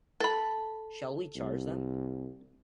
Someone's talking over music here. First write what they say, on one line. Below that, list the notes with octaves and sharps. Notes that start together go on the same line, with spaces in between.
Shall we charge them?
A4 B5
C2